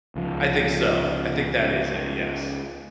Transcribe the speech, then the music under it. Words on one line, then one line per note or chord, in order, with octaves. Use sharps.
I think so. I think that is it, yes.
C#2 F3